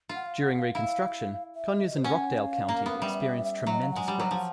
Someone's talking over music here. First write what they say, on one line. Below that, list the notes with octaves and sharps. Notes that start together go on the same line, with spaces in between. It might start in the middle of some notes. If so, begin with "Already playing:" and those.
During Reconstruction, Conyers and Rockdale County experienced tremendous growth.
F4
F#5
F5
F#5
F5
E4 F5
E5
D#5
E5
D#5
C5
C#4 F#5
F5
A#3
B3
G3 E5
F#3
D#5
F5
F#5
G#3
G3
F#3
F3